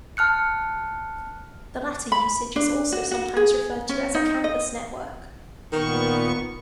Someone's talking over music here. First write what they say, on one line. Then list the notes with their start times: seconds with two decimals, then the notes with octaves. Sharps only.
The latter usage is also sometimes referred to as a campus network.
0.17 A5 F6 F#6 C#7
2.12 B5
2.56 D4
2.92 F#4
3.11 F#4
3.37 G#4
3.89 C#4
4.15 D#4
4.44 D#5
5.73 A#2 D#3 B3 C#6